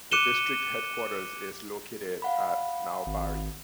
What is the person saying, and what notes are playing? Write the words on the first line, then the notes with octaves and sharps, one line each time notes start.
The district headquarters is located at Nalbari.
D6 F#6 C#7 D#7 E7 G7
F5 F#5 B5
G#1